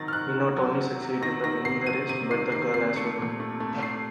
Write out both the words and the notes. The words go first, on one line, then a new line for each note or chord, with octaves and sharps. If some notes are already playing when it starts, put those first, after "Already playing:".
He not only succeeds in winning the race, but the girl as well.
Already playing: C3 D#3 F#3 A6 A#6
F6
D#3 F#6
C3
F#3
C3
C3
D#3 A#6
D#3 A#6
C3 C7
C3 D#7
C3 D#7
D#3 C7
D#3 C7
C3 C7
A3 C#7
A#2
A3
A3
A3 C7